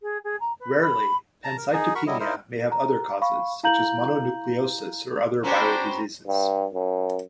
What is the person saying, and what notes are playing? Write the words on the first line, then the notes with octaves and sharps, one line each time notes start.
Rarely, pancytopenia may have other causes, such as mononucleosis, or other viral diseases.
G#4
G#4
A#5
B4
B5
A5 A#5
A#4
D#4 G#4
F#4 A#4 B5 C#6
F#3 G3 E4 D#5
D#4 E4 A#4 C5
A#5
F5 B5 C#6
E4 F5 A#5 G6 F#7
B3 C#4 D4 F#4 C5 G5 A#5
G2
F#2